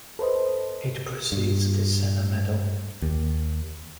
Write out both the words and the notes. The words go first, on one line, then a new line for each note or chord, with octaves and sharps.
It precedes the Sena Medal.
A4 B4 C5 D#5
G2
D#2